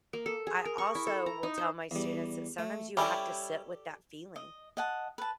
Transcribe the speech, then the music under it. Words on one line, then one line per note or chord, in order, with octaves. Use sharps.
I also will tell my students that sometimes you have to sit with that feeling.
A#3
A4
G#4
A#4
C#6
E4
A4
A#5
D#4
C5
E2 G3
A3
G3 C#4 E4 G4 A4 D5
D#5
D#5 F#5 A5
B4 A5